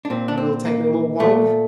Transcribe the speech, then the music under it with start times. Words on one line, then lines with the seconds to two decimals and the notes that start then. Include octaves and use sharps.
"You will take no more wine?"
0.05 D4
0.10 A#2 C4
0.28 D4
0.38 C4
0.65 A#3
1.20 A#2 A3